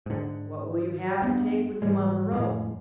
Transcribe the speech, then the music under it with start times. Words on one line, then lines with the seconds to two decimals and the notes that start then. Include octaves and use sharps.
"What will you have to take with you on the road?"
0.06 G#2 D3
1.22 G2 B3
1.82 G#2 E3 G3 G#3
2.32 F2 A2 G#3